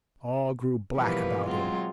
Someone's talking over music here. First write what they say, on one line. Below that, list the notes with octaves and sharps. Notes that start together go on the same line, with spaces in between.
All grew black about him.
B2 E3 F3 G3 A#3 B4
F#3 G#3 C4 F4